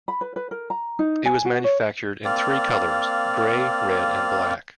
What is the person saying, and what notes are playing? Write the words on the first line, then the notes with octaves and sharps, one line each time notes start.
It was manufactured in three colors: grey, red, and black.
B5
B4
B4
A#4
A#5
D#4
G#5
F#4
C#5
A#3 C4 D5 F5